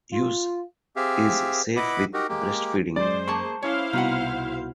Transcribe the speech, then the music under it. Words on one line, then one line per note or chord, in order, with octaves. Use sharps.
Use is safe with breastfeeding.
F4
C4 G4 G#4 E5 F5
E4 B4 D#5 F#5 B5 D6
D#4 F#4 G4 A#4
G#3 A#3 G4
F#2 G#3 C5 D5
A#3 G#4 A5 C#6
C#4 E4 C5 C#5 F5 D6
C2 B2 D#4 F#4 B4 F#5